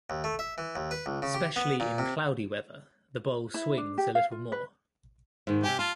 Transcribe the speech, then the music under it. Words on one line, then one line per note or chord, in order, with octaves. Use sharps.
Specially in cloudy weather the bowl swings a little more.
D#2
A3
E5
E3
D#2
B4
C#2
C#3
G4
B3
A#2
C3
E4
D4
G4
F5
F4
B4
G#2 D#3
C3 G4 G#5
F4 A5